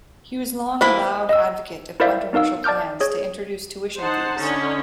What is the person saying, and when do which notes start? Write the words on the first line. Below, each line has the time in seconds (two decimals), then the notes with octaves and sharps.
He was long a loud advocate of controversial plans to introduce tuition fees.
0.81 E3 A#3 C5 B5
1.29 D#5 E6
2.00 E4 A#4 C5 D5 E5 F5
2.33 B3 D#4 A#4 F5 E6
2.64 D5 A5 D6 F6 G6
3.01 G#4 C#5
3.99 D#4 C5 F#5 A5
4.39 D3 C#4 D#4